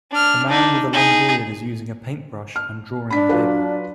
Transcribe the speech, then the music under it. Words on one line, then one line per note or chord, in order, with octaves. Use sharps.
A man with a long beard is using a paintbrush and drawing on paper.
D4 F6
D4 D#4
D#4 G#4
F6
D4 B5 B6
F#3 F4 B4